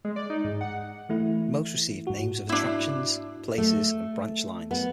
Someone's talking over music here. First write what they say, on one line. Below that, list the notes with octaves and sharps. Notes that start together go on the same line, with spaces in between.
Most received names of attractions, places and branch lines.
G#3
D5
D#4
G#2
F#5
E3 A3 E4
G#2 F#4
D4 E4
A3
B3